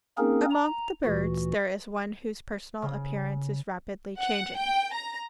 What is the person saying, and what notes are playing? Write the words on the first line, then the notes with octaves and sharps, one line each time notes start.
Among the birds there is one whose personal appearance is rapidly changing.
A#3 C4 C#4 D#4 G#4 A#4
A#5
D2 A#2 E3 F#4
C#3
F#5
G5
A#5